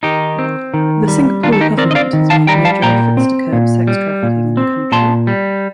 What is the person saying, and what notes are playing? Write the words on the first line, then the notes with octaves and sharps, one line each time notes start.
The Singapore government has made major efforts to curb sex trafficking in the country.
D#3 D#4 G4
C4
D#3
G3
D#3 D4 F4
A4
D#4 G4
C4 A#4 D5
D#5
D5 F5
D#3
F5 A5
G3 G5 A#5
F5 A5
A#2 G5 A#5
C4
A#2
G3
A#2
C4
A#2 A5 C6
G3